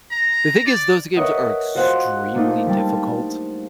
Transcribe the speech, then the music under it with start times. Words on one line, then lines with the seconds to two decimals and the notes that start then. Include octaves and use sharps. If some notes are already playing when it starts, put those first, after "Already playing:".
the thing is those games are extremely difficult,
0.11 A#5
0.65 D5
1.16 A#4 B4 C#5 D#5 E5 F#5
1.75 F4 F#4 C5 F#5
2.34 A3 A#3 D4 D#4 F4
2.66 G3 A5